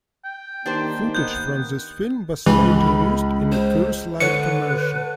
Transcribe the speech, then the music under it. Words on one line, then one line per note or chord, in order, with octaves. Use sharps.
Footage from this film was later used in a Coors Light commercial.
G5
D#3 A#3 D4 D#4 G4 C5
B3 G6
C#2 E3 B5
C5
D3 B4 C#5 C#7